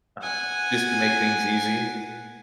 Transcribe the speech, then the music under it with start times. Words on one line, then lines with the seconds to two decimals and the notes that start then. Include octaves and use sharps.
Uh-huh, just to make things easy.
0.22 F#5 G#5